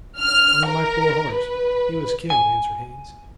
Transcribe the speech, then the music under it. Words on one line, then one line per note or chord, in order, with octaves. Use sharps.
"Only my poor horse; he was killed," answered Haines.
F6
A#4
B4
G#5